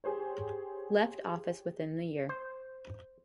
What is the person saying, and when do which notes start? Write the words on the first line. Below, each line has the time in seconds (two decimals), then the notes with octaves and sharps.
Left office within the year.
0.04 G4 G#4 C5 C#5
2.29 C5